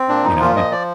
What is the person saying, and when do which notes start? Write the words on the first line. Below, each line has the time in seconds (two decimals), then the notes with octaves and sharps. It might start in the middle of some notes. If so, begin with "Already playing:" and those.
you know, an
Already playing: C4
0.09 A#2 D4
0.24 F3 D#4
0.39 A#2 F4
0.56 F3 D#5
0.72 F3 D5